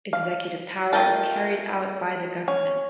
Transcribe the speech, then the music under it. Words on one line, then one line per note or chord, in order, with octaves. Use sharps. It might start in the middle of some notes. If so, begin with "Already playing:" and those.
Executive power is carried out by the government.
F5
A3 F4 A#4 D#5 G5 A5
C#4